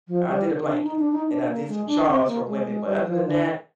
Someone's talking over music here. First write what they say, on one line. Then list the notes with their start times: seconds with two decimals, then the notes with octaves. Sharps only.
I did a blanket, and I did some shawls for women, but other than that,
0.08 F3
0.28 G3
0.68 D4
0.83 D#4
0.99 D4
1.12 D#4
1.28 D4
1.48 A#3
1.68 G#3
1.87 D4
2.07 C4
2.27 A#3
2.47 G#3
2.67 G#3
2.86 G3
3.07 F3
3.26 D3